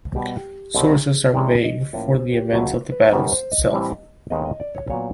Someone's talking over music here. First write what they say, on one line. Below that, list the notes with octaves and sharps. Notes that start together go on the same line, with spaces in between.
Sources are vague for the events of the battle itself.
B2 G3 B3 G4
C2 B2 G#3 C4 G#4
C3 E3 G#3 C#4 D5
D#5
A2 F3 A#3 C#4 C#5
C5
G4
C#2 B2 F#3 A3 C#4 F#4
B4
F#2 D#3 G3 B4
C5
D#5
A2 E3 G3 C4
D#2 D#3 G#3 B3 D#5
D#5
D5
C#5
A#2 F#3 B3 C#5